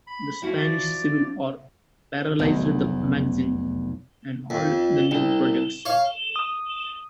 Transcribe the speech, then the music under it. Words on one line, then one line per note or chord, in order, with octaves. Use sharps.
The Spanish Civil War paralyzed the magazine and all the new projects.
B5
F3 E4 F#4
D5
F1 B1 E2
F2
C2
C#5 F5
D#6